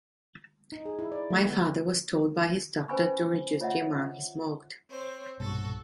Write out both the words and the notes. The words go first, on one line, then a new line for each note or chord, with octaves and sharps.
My father was told by his doctor to reduce the amount he smoked.
D#4
G#4
E4
D5
A3
B3
C#4 B4 C5 G#5 B5 C#6
F4 C#5 D#5 E5 F#5
C4 C5 C#5
B1 G2 A#2 F#4 A4